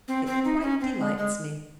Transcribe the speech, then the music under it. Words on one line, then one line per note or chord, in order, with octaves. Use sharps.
It quite delights me.
C4
C4
D#4
C#4
C4
G#3
G#3